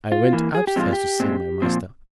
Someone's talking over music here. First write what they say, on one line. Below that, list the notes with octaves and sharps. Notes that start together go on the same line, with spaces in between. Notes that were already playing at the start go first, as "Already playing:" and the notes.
I went upstairs to see my master.
F4
E3 A#3
G#4
G4
A#2 F3 G#3 C4 F4
G4
A#2 G#3 C4
A#2 F3 C4